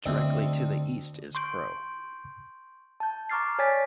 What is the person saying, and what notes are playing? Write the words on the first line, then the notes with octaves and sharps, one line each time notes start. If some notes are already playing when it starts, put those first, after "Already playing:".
Directly to the east is Krogh.
D2 C4 D4 D#4 E5
C6 C#6 G6 D7
A5 G6
A#5 C#6 D6 F6 A6 C7
C#5 D5 G#5 G#6 A6 B6